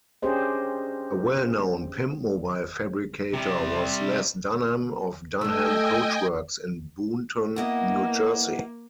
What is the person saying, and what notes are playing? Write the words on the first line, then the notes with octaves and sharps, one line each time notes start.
A well-known pimpmobile fabricator was Les Dunham of Dunham Coachworks in Boonton, New Jersey.
C#4 D4 G4 G#4 C5 D#5
C3 G3
A3 D4 D#5 G5 G#5 E6
A#3 B3 E4 D#5